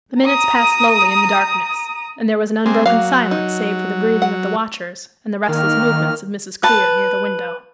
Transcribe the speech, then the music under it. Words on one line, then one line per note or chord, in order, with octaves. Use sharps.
The minutes passed slowly in the darkness, and there was an unbroken silence save for the breathing of the watchers and the restless movements of Mrs. Clear near the window.
A#5 D#6
G#3 A#3 C4
F#3 A#3 F5
D#4
F#5
D#3 A#3 F6
B4 A5